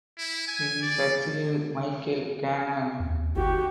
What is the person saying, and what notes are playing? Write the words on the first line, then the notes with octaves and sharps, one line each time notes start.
He succeeded Michael Gannon.
E4
G#5
D5
D#2
G1 F#4 G4